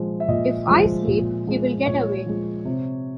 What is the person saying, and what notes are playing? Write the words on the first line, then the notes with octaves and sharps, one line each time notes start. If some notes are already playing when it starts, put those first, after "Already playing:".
If I sleep — he will get away.
Already playing: A#2 F3 G#3
E5
A#2 D#5
F3 G#3
A#2
F3 G#3
A#2 C#5
F3 G#3
C3